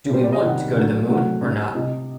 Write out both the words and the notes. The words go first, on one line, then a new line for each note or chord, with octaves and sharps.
Do we want to go to the Moon or not?
A#2 G3 C5
D5
D#5
C3 D#3 G3 F#5
D3 F#3 A3
C3 F#3 A3 F#5
D3 G3
C3 G3 D#5